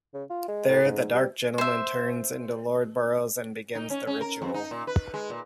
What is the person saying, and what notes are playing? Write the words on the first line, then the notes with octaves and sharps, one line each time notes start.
There, The Dark Gentlemen turns into Lord Burroughs and begins the Ritual.
C#3
F4
G#3
A2
G#2
G3
C5 E5
D#4
C#4
C#4
A#4
F2
D#4
A#2
B4
G#3
A#2